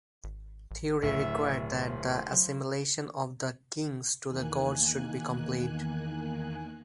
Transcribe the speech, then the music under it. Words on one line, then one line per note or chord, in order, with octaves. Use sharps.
Theory required that the assimilation of the kings to the gods should be complete.
G#1
A1
D1 A2 E5
F3
F#3
E2 D#3 A#3 G#5 F#6